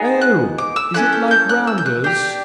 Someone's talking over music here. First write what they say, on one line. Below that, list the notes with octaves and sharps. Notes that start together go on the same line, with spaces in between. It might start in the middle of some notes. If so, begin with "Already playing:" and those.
"Oh, is it like rounders?"
Already playing: B3 D#4 G#4
F#6
D6
E6
C#4 E4 A4 F#6
G6
G6
F#6
E6
G6
F#6
D4 G4 G6